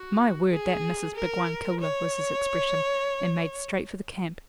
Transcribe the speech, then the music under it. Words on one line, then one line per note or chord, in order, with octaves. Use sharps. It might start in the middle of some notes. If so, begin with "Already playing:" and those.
"My word, that missis big one coolah!" was his expression, and made straight for the camp.
Already playing: F#4
G#4
A#4
C#5